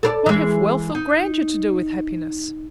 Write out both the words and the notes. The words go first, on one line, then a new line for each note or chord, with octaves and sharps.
"What have wealth or grandeur to do with happiness?"
A4 A#4 D5
E3 G#3
D#4